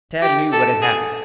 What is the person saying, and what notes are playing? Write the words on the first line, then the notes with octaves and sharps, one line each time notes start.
Tad knew what had happened.
G4
A4
G#4